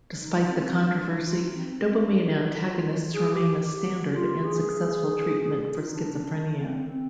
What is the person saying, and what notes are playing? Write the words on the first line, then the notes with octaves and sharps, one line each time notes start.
Despite the controversy, dopamine antagonists remain a standard and successful treatment for schizophrenia.
D#4
C4
D4
D4
F4
D#4
C4
C4
D4
D4
F4
G#4
G4
G4
F4
G#4
F4
D#4
D4
C4
C4